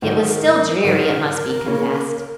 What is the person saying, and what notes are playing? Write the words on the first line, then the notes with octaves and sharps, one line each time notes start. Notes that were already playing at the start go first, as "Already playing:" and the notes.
It was still dreary, it must be confessed.
G#2 D#3 F#3 D#4 A#4
G#2 D#3 F#3 D#4 A#4
C#3 A#3 C#4